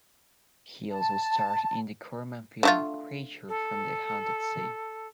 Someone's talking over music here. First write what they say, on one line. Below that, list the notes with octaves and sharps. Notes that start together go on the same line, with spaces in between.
He also starred in the Corman film "Creature From the Haunted Sea".
A5
D3 A3 F4
A4